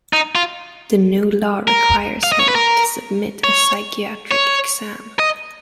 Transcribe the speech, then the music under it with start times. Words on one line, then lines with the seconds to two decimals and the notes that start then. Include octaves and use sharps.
The new law requires him to submit to a psychiatric exam.
0.13 D#4
0.35 F4
1.68 A#4
2.23 F5
2.32 D#5
2.39 C#5
2.48 B4
2.55 A#4
3.44 C#5
4.31 C#5
5.19 D#5